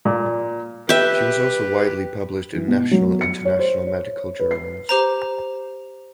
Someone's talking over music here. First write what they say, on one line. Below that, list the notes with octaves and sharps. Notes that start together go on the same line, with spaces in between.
She was also widely published in national and international medical journals.
A#2
G4 B4 E5 G5
E3
B2
F#3
C#7
C#5
C5
C#5
B4
C7
G4 C5 A#5